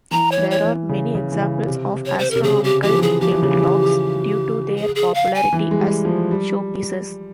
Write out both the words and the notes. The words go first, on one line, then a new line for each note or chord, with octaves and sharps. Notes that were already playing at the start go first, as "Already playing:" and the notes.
There are many examples of astronomical table clocks, due to their popularity as showpieces.
E3 A#5
C#5
E3
C#5
E3
C#3
C#3
E3
C#3
C3
C#5
C5
C3 A#4
C#3 G#4
G4
E3 G4
F3
E3
G#4
F3 G4
E3
C#3
E3
G#4
G#4
F5
G#5
E3
G#3
G3
F3
G3